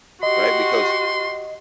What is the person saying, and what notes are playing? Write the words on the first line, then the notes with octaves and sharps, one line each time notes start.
right? Because
F#4 G4 D#5 C6